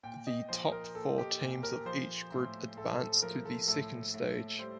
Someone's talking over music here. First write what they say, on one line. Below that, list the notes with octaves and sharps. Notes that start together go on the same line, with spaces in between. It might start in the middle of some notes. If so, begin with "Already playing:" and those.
The top four teams of each group advanced to the second stage.
A#2 G5
D#5
F3 C5
A#4
A#2 A4
G4
A#2
A#4
F3 C5
A2
A2 A4
A4
F3 A#4
A4
A2 A4
A2
G3 C5